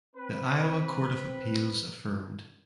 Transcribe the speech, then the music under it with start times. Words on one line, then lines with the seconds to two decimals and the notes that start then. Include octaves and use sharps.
The Iowa Court of Appeals affirmed.
0.15 C4 B4